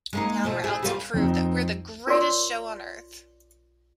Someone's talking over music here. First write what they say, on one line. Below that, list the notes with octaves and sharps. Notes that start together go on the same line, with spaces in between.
Now we're out to prove that we're the greatest show on earth.
G#3 A#3 D#4
B2 F3 A3
A3 E4 G#4
G3 A#3 F4
F2 C4 D#4
F4 A#4 C#5 D5 C6